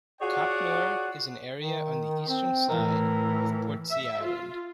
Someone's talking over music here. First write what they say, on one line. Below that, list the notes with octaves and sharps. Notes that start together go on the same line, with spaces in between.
Copnor is an area on the eastern side of Portsea Island.
F4 F#4 G#4 C#5 D5 F#5
D#3
C4
A2 E3 A#4
E5
F4